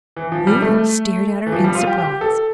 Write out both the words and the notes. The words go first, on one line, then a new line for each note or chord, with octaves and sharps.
Ruth stared at her in surprise.
E3
F3
G3
A3
E3
F3
G3
F4
G4
G4
A4